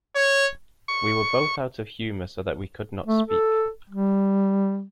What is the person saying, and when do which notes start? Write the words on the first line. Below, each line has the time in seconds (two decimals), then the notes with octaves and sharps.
We were both out of humour so that we could not speak.
0.16 C#5
0.88 C#6
3.07 A3
3.28 A4
3.90 G3